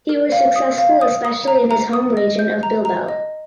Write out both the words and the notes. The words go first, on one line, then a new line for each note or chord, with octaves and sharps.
He was successful especially in his home region of Bilbao.
A#4
F5
D#6
F5
D#6
D#6
A#5
A#5
D#6
D#5
G6
A#5
A#5
D#5